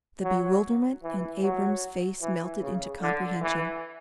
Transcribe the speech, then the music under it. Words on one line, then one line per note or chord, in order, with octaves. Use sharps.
The bewilderment in Abram's face melted into comprehension.
F#3
E3
F#3
E3
C#3
D3
E3